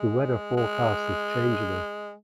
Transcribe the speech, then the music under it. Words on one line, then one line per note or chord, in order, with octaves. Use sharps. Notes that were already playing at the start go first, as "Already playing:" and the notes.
The weather forecast is changeable.
Already playing: G#3
G#3